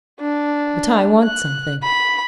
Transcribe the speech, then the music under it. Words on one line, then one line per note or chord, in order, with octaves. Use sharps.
But I want something.'
D4
F#6
B5